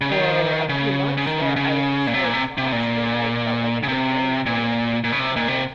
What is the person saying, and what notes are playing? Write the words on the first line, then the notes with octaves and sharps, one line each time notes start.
for a few months there, I was just so exhausted, I felt like I could barely do anything, so,
C#3
D#3
C#3
C#3
D#3
C#3
C#3
A#2
C3
A#2
C3
C3
A#2
C#3
C3
A#2
A#2
C#3
C3
A#2
C3